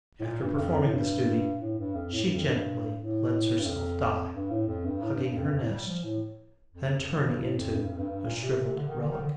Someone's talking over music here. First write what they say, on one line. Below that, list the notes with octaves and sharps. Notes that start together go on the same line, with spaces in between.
After performing this duty, she gently lets herself die, hugging her nest and turning into a shrivelled relic.
A2
A#2
G2
F2
F2
A2
G2
A2
G2
F2
A2
G2
F2
G2
A2
G2
F2
G2
A2
F2
G2
A2
G2
G2
F2
G2
F2
A2
G3
F3
A2
F2
G2
F2
G2
A2
F2
G2
F2
G2
G2
A#2
C3
C3
D3
D#3
D3
D#3
D3